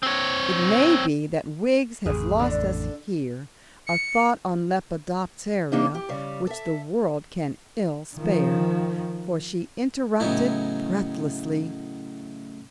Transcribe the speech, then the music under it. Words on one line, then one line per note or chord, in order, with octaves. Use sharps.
It may be that Wiggs has lost us here a thought on lepidoptera which the world can ill spare; for she interrupted breathlessly.
C4 C#5
A1 F2 G#4
D3 D4
C#7
E3 A#3 D4 D#4
G4
C#3 G3
A4 E5
D#3 F3
A2 C#3 F#3 B3 D#4 E4